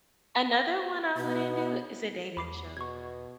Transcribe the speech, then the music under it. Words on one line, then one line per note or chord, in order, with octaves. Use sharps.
Another one I wouldn't do is a dating show.
B2 B3
E2 B5 D6 C7
B2 C#6 G#6